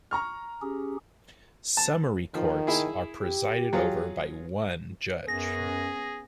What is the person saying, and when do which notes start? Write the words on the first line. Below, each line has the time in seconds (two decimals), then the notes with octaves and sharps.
Summary Courts are presided over by one judge.
0.11 A#5 C#6 F6
0.62 C#4 G4 G#4
1.77 A5
2.35 D#3 F3
2.67 E4 G#4
3.23 G4
3.73 F#3 F4 G#4
5.28 F#2 B3 C#4 G#4 A#6